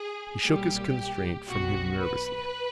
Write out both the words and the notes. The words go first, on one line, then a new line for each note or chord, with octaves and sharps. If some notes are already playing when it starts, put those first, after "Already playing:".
He shook his constraint from him nervously.
Already playing: G#4
B1 A#2 G3 G4
B1 B2 F#3 F#4
B4